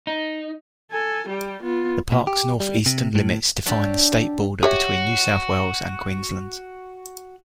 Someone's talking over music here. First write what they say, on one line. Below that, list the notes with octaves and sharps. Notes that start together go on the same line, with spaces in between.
The park's north-eastern limits define the state border between New South Wales and Queensland.
D#4
A4 G#5
G3 G4
B3 F4
A#2
G4
G3
C3
A2
D4 G4 A4 C#5 F#5
F#4 G4 C#5 E5